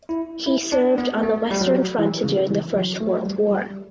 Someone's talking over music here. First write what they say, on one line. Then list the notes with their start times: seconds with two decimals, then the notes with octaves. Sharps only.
He served on the Western Front during the First World War.
0.09 E4
0.46 E4
0.72 D4
0.98 B3
1.23 A3
1.51 G3
1.61 F#3
1.99 E3
2.24 C#3
2.50 E3
2.74 F#3
3.00 A3
3.26 G3
3.51 G3